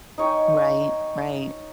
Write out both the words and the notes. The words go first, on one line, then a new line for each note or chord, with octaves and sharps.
Right. Right.
D#4 C#5 G5 G#5